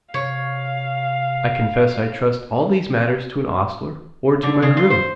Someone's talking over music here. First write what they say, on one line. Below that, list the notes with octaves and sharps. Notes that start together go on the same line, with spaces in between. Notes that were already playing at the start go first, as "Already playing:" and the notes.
"I confess I trust all these matters to an ostler, or to my groom."
C3 C#5 F5
D3
C#3
F4
C5